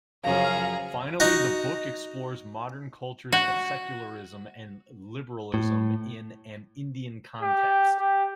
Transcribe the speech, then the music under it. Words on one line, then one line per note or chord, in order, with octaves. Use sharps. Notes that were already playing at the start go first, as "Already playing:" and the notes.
Finally, the book explores modern cultures of secularism and liberalism in an Indian context.
F#2 C#3 F3 G#4 F5 A#5
D#4 F#4
F#4
A2
G4
G4